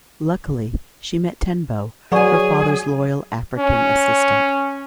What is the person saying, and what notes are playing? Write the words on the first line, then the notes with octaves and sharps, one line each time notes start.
Luckily, she meets Tenbo, her father's loyal African assistant.
F#3 G#4 B4 D5 F#5 G#5 C#6
C#4